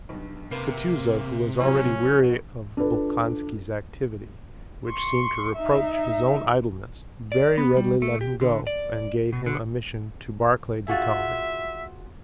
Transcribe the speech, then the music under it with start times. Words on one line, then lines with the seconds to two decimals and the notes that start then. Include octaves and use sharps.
Kutuzov, who was already weary of Bolkonski's activity which seemed to reproach his own idleness, very readily let him go and gave him a mission to Barclay de Tolly.
0.09 B1 G2
0.51 C3 A#3 B4 C7
1.60 A2 F3 F#3 C#4
2.22 B2
2.77 D4 F4 A4 B4
4.89 C6 C#6
5.55 D#4 E5
7.32 D5
7.58 B3
7.77 G3
8.02 A3
8.21 G4
8.41 D3
8.67 D5
9.33 B2
9.46 D3
10.88 F4 F#4 G#4 E5